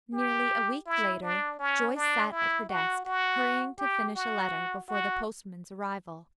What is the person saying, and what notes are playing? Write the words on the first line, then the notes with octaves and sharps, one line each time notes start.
Nearly a week later Joyce sat at her desk, hurrying to finish a letter before the postman's arrival.
G4
E4
D4
C#4
D4
E4
F#4
F#4
G4
F#4
F#4